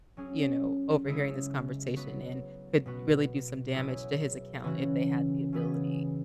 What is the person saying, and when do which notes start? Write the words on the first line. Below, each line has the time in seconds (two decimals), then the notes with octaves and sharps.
you know, overhearing this conversation and could really do some damage to his account if they had the ability
0.17 F#3 C#4 G#4
1.07 C#3 G#3 E4 G#4
1.96 F#3 B3 F#4
2.86 B2 B3 F#4
3.74 B2 F#3 E4 G#4
4.63 C#3 E3 C#4 F#4
5.53 C#3 E3 B3 G#4